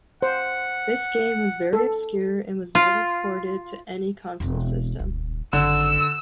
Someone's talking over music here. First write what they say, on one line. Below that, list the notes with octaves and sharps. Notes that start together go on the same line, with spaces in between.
This game was very obscure and was never ported to any console system.
C5 F#5
A4
F4
E1 C4
D#1 C#2
G#1 F#2 D3 E6